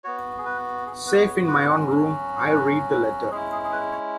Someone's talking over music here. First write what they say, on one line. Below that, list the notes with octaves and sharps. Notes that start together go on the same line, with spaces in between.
Safe in my own room, I read the letter.
B3 F#4 C#5
G#4
B4
G#4
B4
C#5
B4
F#3 C#4 F#4
B4
B4
G#3 C#4 E4 G#4
G#4
G#4
B4
C#5